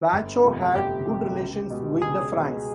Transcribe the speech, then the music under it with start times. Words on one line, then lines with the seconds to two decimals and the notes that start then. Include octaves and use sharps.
Wacho had good relations with the Franks.
0.13 G1
0.44 F2 C3 F3 A3
0.75 G1 G4
1.07 F2 C3 F3 A3
1.39 C#2
1.70 B2 G#3
2.02 C#2 G#4
2.33 B2 G#3